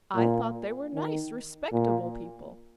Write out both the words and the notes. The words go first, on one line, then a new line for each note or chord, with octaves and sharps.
"I thought they were nice, respectable people."
A#2
D#3
A#2